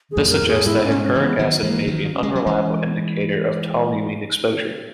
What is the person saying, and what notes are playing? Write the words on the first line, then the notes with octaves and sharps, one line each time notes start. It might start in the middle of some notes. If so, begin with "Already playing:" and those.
This suggests that hippuric acid may be an unreliable indicator of toluene exposure.
G#4
F#2 A#2
A#4
E2 G#2
G#4
G#2 B2 E4
C#4
G#2 B2
C#4
E3 G#3
B3
D#3 F#3 B3
E3 G#3 A#3
D#3 F#3
C#4
G#3
F#3
E3 G#3